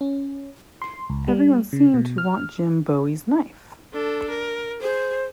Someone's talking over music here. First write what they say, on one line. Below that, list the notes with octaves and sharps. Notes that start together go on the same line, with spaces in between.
Everyone seemed to want Jim Bowie's knife.
C#4
C6
C#2
G3
C#3
B2
F6
D4 A4
A#4
G#4 C5